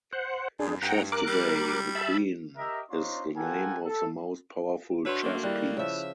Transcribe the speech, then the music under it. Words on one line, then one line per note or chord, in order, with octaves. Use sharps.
In chess today the Queen is the name of the most powerful chess piece.
C5 F#5
F#2 D4 G#4
G2 F#5 G5 A#5
A#4 D6 F#6
G3
E5 A5 B5
G4 A#4 D#5 E5
C4 D4 D#4 F4 C#5 C6
F4 G4 A4 A#4 F#5 G#5
A4
B2 D4 F#4 B4 C#5 E5 C6
D#3 A3 A#3
G3 E4 F#6
C#3 F3 E5